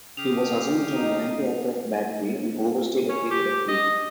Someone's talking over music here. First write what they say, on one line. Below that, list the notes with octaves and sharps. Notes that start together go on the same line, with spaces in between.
He was assigned to an anti-aircraft battery and overstayed a period of leave.
C#3 G4 F5 D#6 F7
D#4
C#4
G4
D#5